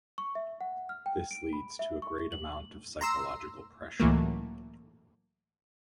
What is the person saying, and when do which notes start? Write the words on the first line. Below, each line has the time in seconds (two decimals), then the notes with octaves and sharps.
This leads to a great amount of psychological pressure.
0.18 C#6
0.35 E5
0.61 F#5
0.89 F6
1.06 G5
1.31 D7
1.53 B5
1.79 E5
2.02 C#6
2.32 F#7
3.01 A#5 C6 E6
4.00 C#2 A2 E3 F#3 A3 A#3